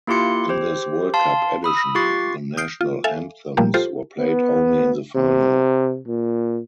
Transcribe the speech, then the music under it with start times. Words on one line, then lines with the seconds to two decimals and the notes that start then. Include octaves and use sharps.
In this World Cup edition, the national anthems were played only in the final.
0.07 A#3 E4 F4 G4 C6 C#7
0.49 G4 C5
1.14 F5 A5 C6
1.64 B5 D#6 E6
1.95 F4 G4 C#6 A6 C7
2.57 D#6 F6 G6 C7 D7
2.81 F4
3.04 A4 E5 F5 G#5
3.57 A#2 F3 G3 A3 A#3 G4
3.74 F4 G4 A4 C5
4.19 B3
5.16 C3
6.08 A#2